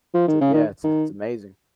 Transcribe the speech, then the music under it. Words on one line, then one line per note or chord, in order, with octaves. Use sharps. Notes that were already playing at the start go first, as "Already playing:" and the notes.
so, yeah, it's a it's amazing.
F3
D#3
C#3
D#3
D#3